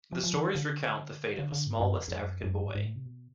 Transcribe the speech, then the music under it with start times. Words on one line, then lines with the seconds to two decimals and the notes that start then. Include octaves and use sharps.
The stories recount the fate of a small West African boy.
0.13 F3
0.24 F3
0.34 E3
0.44 D#3
0.55 D3
1.39 D3
1.52 D3
1.67 G#2
1.80 G2
1.94 F2
2.08 F2
2.22 F#2
2.44 F#2
2.64 G#2
2.75 G#2
2.85 A2
2.96 C3
3.06 B2